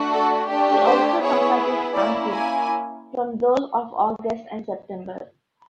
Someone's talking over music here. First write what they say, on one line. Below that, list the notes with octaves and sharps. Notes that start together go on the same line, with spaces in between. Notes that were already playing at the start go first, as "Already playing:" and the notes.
He also compared the samples from those of August and September.
Already playing: A3 D4 F#4
A4
A3 D4 G4
C5
B3 E4 G#4 C#5
A#3 C#4 E4 D5
G#5